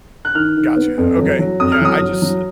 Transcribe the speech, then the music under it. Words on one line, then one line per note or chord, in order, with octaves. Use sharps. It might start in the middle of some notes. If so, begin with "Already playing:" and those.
gotcha. Okay, yeah. I just
F#6
D#3 F6
D#3
B3
F2
F#3
F#3
F2 D#6
F6
F#3 D#6
F#3
F#3